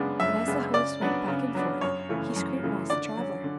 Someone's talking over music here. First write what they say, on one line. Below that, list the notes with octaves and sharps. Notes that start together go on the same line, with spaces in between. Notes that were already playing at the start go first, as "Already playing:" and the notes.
But as the host went back and forth, he scrutinized the traveller.
Already playing: F#2 C#3 G#3 B3 D4
F#2 E5
C#3 G#3 B3 D4
C#3 D5
F#3 B3 D4
C#3
F#3 B3 D4
F#2 C#5
C#3 E3 A3
F#2
C#3 E3 A3
D3 D5
F#3 C#4
D3